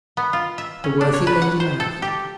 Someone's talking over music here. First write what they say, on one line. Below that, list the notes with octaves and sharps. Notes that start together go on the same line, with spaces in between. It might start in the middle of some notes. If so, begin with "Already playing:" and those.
The worthy lady laughed.
B3
F4
E5
C#4
D4
C#5
B4
F#5
C5
A4
G4